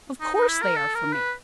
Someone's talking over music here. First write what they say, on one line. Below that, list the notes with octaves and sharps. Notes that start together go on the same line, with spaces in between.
Of course they are for me.'
D#4
D#4
E4
A#4
A4
A#4
B4